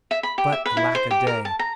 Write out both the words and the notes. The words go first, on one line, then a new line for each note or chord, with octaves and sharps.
But alack-a-day!
E5
B5
G4
E5
B4
E4
C5
G4
A#4
A5
A#5